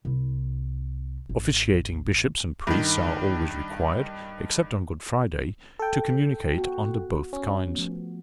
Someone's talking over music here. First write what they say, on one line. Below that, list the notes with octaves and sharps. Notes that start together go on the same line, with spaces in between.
Officiating Bishops and Priests are always required, except on Good Friday, to communicate under both kinds.
C2 E4
A1
G2 D#3
A4 G5
B3 F#4
C#4
F3 A3 B3